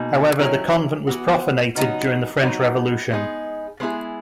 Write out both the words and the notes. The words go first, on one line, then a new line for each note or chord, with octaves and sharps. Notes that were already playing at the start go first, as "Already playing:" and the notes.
However, the convent was profanated during the French Revolution.
Already playing: B2 A#3 D#4 G#4
D#3 F#3 C#4 E4 G#4
E3 B3 F#4
C#3 F#3 B3 D#4 F#4
F#3 B3 D#4 F#4
G#3 B3 D#4 G#4
G#3 B3 E4 G#4